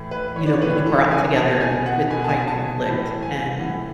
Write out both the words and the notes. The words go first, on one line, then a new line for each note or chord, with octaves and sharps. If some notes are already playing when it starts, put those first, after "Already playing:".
you know, be brought together with by conflict. And,
Already playing: A2 E3
B4
C#5
D5
C#5
A2 E3 B4
A4
G#5
B2 A5
G#5
F#5
B2 G#5
A5
G#5
A5
A2 E3 A5
G#5
A2 E3 F#5